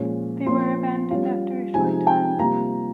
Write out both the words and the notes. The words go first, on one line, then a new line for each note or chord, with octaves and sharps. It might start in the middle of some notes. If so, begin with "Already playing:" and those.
They were abandoned after a short time.
Already playing: A#2 F3 G#3 C#4 F4
F3 A#3 C#4 F4 C6
G3 C#4 F4
C3 F3 G#3 D#4 G#5
G5
C3 G3 A#3 F4 A#5